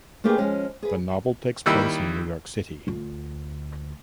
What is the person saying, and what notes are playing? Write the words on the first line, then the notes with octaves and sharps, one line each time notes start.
The novel takes place in New York City.
A3 A#3 D4 G4 G#4 B4
F3 G#3 C#4
G#4 B4
D#2 G3 A#3 E4 E6
D2 F4